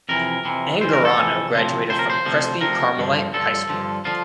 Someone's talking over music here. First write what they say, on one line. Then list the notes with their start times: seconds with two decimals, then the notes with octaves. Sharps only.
Angarano graduated from Crespi Carmelite High School.
0.09 F2 C3 E3 A#4
0.45 F2 C3 E3
0.81 F2 C3 E3 C5
0.93 A#4
1.05 A4
1.17 F2 C3 E3
1.53 D2 C3 F3
1.89 D2 C3 F3 C5
1.99 A#4
2.10 C5
2.25 D2 C3 F3
2.61 D2 C3 F3 A#4
2.97 G2 D3 F3
3.33 G2 D3 F3 A4
3.69 G2 D3 F3
4.05 D3 F3 F4